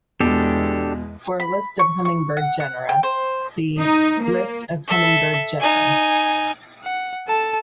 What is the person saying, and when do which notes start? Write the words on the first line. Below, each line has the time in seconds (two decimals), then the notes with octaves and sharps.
For a list of hummingbird genera, see "list of hummingbird genera".
0.20 E2 B2 G#3 D4 G4 A4
1.40 B5
1.79 C#6
2.05 C#6
2.37 F#5
2.60 F#5
2.89 G5
3.03 C5
3.79 D#4
4.23 A#3
4.87 A4 E5
5.60 D#4 G#5
6.83 F#5
7.28 A4 A5